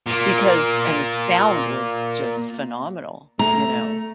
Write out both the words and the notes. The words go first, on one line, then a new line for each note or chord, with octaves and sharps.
because and the sound was just phenomenal, you know,
A#2 A#3
A3 A#5